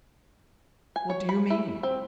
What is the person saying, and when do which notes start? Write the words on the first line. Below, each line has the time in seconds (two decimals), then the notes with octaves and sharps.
"What do you mean?"
0.96 G#5
1.10 C#5
1.29 B5
1.50 E4
1.83 C4